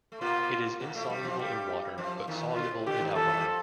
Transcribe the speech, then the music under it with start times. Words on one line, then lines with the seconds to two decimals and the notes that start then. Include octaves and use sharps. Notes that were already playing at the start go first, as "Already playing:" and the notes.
It is insoluble in water, but soluble in alcohol.
0.12 A3
0.21 A#2 A#3 F4
0.80 A#2 A#3
0.94 A2 A3
1.10 G2 G3
1.24 F2 F3
1.39 G2 G3 G4
1.98 F2 F3
2.27 D#2 D#3
2.56 D3 F4
2.71 C3
2.86 D3 G4
3.00 D#2 D#3
3.11 D3
3.15 D#2 D#3 A4
3.30 A3
3.37 G3
3.45 F3